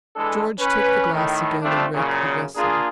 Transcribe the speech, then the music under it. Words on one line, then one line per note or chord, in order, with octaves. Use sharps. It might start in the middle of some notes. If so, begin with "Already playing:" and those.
George took the glass again and raked the vessel.
E3 G#3 D4 A4
C#4 B4
A2 D#3
F3 G3 A3 C4 D4
F#2 A#2 C#3
A#3 D4 F4 G#4